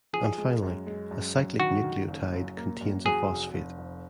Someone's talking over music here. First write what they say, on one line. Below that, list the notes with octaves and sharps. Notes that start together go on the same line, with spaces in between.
And finally, a cyclic nucleotide contains a phosphate.
F3 G#4
G#3
F#2
G#3
F#2
F#2
D#3 F#4
D#3
F#1
F#2
A#3
F#2
F#3 G#4
F1
F1
F2